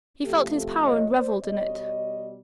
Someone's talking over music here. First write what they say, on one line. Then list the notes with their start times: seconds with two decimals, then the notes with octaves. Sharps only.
He felt his power and revelled in it.
0.24 C3 F3 A3 G4 A4
0.54 G4 A4
0.83 C#5 D#5
1.13 C5 D5
1.43 B2 G3 C#5 D#5